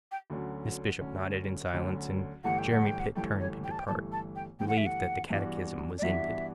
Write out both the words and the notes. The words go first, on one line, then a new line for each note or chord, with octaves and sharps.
Miss Bishop nodded in silence, and Jeremy Pitt turned to depart, relieved that the catechism was ended.
G5
D2 D3 F#3 C#4
D2 D3 F#3 C#4
D2 D3 F#3 C#4
G1 G2 E3 A3 F#5
G5
F#5
G5
F#5
G1 G2 E3 A3 G5
C#5
G5
A5
G5
G1 G2 E3 A3 A5
A5
G5
G1 G2 E3 A3 G5
F#5
E5
F#5
G2 E3 B3 D4 F#4
D5
G2 E3 B3 D4 F#4 E5